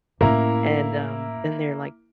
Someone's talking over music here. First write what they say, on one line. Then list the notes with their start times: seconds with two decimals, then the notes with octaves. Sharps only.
and, um, then they're like
0.21 A2 A#3 C#4 E4 A#5